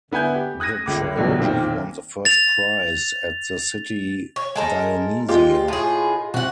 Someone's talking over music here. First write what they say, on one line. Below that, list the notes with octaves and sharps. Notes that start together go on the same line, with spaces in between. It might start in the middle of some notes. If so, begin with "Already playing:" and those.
The trilogy won the first prize at the City Dionysia.
D3 B3 E4 G#5 G6
G4
D#6 F#6 G#6 A#6 D#7
G1 C#2 D6
A#1 F#2 B2 D3 G3 A3
B1 A#2 D#3 C4
A6 F7
C#5
G#3 A4 A#4
G#3 F4 G4
A2 G#4
C3 F#4 F#5